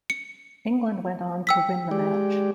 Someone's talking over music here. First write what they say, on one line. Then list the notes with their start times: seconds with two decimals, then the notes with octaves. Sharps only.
England went on to win the match.
0.10 C#7
1.47 G5 E6 B6
1.91 G#3 G4 D5